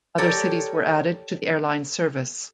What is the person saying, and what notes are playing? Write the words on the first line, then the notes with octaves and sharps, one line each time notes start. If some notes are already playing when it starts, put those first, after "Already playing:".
Other cities were added to the airline service.
G4 A4 A#4 C#5 D5 G5